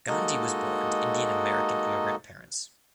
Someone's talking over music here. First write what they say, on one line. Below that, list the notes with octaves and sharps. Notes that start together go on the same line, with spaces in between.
Gandhi was born to Indian American immigrant parents.
G#3 A#3 D#4 F#4 A4 D#5